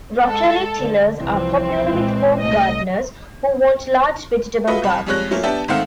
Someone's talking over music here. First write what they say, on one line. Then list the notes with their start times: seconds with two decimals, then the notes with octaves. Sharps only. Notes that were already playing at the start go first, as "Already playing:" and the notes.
Rotary tillers are popular with home gardeners who want large vegetable gardens.
0.22 G#3 A4
0.78 D3
1.18 C2 E3 F3 C4
1.87 A#2 E3 G#3
2.40 C2 A3 D#5
4.67 F4 F#4 B4 D#5 E5
4.83 C2 B5
5.06 F2 G3 G#3 C#5 F#6 A#6
5.31 F#3 A3 A#3 C#4 F4
5.43 B3 D4 G4 E5 A5
5.68 G#2 D#3 A3 C4 F5 F#5